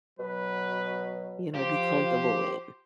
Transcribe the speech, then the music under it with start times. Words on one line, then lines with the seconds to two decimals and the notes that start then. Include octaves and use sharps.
you know be comfortable in,
0.19 B2 F#3 B4
1.54 F3 F4 G4 C5